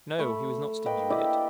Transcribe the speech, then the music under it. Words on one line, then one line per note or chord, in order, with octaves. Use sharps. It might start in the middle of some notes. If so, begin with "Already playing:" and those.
No, he was not stingy with it.
A3 B5
A#3 B4 D#5 G5
E4 G4 D5 D#5